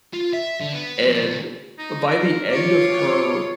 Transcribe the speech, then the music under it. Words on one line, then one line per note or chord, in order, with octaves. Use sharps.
and by the end of her
F4
E5
D3
B3
F2 B2
E2
D#4
A#4
F4 C#5 D6